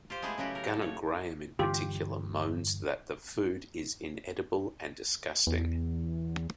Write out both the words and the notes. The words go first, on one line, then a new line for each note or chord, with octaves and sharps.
Gunner Graham in particular moans that the food is inedible and disgusting.
F4 G4 C5
G#3 A3 B3 E4 G#4
C#3 F#3 A3 F#4 G4
A#4
A4
C#5
G2 D3 E3 F4 G4
E2